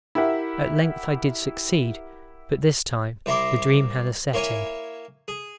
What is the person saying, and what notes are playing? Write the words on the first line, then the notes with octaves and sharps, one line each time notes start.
At length I did succeed, but this time the dream had a setting.
E4 G4 A#4 E5 F#5
C2 E4 A#5 C6 D6
A#3 E4 C#5 G#5
G#4